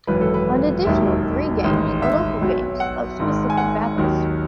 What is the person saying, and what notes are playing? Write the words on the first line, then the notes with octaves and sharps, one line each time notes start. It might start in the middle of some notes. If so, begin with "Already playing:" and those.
An additional three games are local games of specific battles.
G#1 F#2 E3 B4
A4
B4
E1 D#2 D#3 F#3 E5
A1 G#2 D#3
E5
B1 B2 F#3
F#5
G#1 G#2 D#3
G#5
F#5
D#2 D#3 F#3